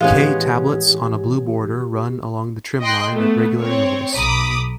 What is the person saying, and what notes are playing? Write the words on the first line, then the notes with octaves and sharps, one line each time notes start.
"K" tablets on a blue border run along the trim line at regular intervals.
A2 E3 G#3 B3 C#4 G4 F5
D#5 G5 C6 F#6
A3 B3
C4 C#5
B1 A#5 B5 D6 D#6